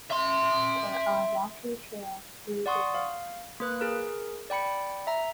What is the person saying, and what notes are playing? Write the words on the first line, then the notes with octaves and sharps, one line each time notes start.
There are walking trails through the woods.
E5 C6
D5 F#5 C6 C#6 D#6
F5
A#3 B4 F#6
G#4 A#4
D5 G5 B5 C#7
E5 A#5